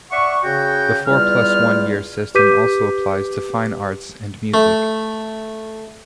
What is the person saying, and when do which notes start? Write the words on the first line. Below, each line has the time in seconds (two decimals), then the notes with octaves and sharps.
The four-plus-one-year system also applies to fine arts and music.
0.12 D5 E5 F#5 C#6
0.43 C#3 F#4 G5
1.07 E2 G3 F4 F6
2.35 G4 B4 D6 G6 B6 D#7
4.54 A3